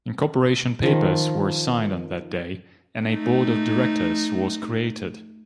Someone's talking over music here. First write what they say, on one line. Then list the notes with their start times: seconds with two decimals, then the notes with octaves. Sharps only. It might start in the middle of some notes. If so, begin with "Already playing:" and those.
Incorporation papers were signed on that day and a board of directors was created.
0.83 D#3 F3
3.05 A3 D#4